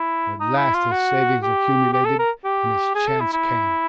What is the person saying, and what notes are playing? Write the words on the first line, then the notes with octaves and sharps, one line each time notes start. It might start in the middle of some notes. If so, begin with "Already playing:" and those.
But at last his savings accumulated, and his chance came.
Already playing: E4
D#4
E4
F4
F#4
G4
G4
A4
A#4
G4
G#4
A4
E4
E4